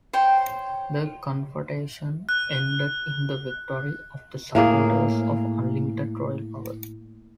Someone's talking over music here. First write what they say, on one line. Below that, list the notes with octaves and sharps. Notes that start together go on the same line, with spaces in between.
The confrontation ended in the victory of the supporters of unlimited royal power.
C5 C#5 G5
F#6
A2 A#3 G#4